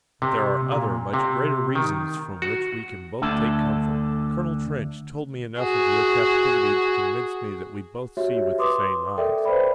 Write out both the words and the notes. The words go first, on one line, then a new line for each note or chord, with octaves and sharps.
But there are other, much greater reasons from which we can both take comfort. Colonel Trench told me enough of your captivity to convince me that we both see with the same eyes.
C3
A#2
C3
D#3
F#4
D2 D3 A4
F#4 G#4
F#4 G4 C#5 E5
B4 C6 D6 D#6
A4 A#4 D5 E5 G5
B4 C5 D5 G5 B5